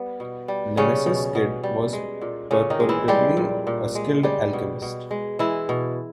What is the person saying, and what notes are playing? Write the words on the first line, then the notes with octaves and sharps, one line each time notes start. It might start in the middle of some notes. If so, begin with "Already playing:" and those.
Nemesis Kid was purportedly a skilled alchemist.
Already playing: G3 B3
B2
G3
C#3 G3 C#4
B2
B2
G3
G#3
A#2
A#2 C#3 C#4
D#3 D#4
G#3
E3 E4
G3 G#3 G4
A#2
A#2
G#3
G3 G#3 G4
B2
B2
G#3
E3 G#3 E4
B2